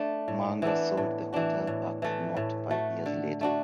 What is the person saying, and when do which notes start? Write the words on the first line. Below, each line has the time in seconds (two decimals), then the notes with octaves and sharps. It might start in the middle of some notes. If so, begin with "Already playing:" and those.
Manger sold the hotel back to Knott five years later.
Already playing: A3 D4
0.28 A2
0.62 E3 B3 D4
0.97 A2
1.33 E3 D4 F#4
1.67 A2
2.02 E3 A3
2.37 A2
2.71 A3 F#4
3.06 D3
3.41 A3 D4 F#4